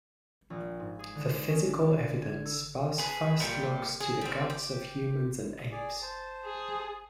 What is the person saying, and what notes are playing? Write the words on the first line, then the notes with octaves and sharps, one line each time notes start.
For physical evidence Buss first looks to the guts of humans and apes.
A#1
G#2
G#4
D3
G#4
C#4
D4
D3
A6
G#6
A4
G#4 B4
A#2 G3 G4
G#4
G3 C4
G4
G#4 D5
C5 A5
G#4